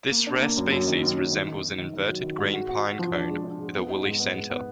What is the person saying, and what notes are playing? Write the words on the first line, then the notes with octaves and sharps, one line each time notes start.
This rare species resembles an inverted green pine cone with a woolly center.
A#3
D4
A#3
F#2
F#2
D#3
F#2
F#2
D#3
D#3
D#3
D#3
D#3
F#3
D#3
G#2
F#4
F#4
F#4
F3
D4
G#3
D4
G#3
B3
D#4
G#2
B3
G#2
B3